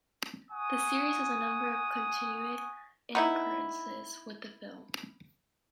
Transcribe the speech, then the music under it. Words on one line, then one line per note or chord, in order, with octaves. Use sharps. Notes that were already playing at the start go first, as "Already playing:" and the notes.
The series has a number of continuity incongruences with the film.
F#5 G#5 C#6 D#6
B3 D#4 E4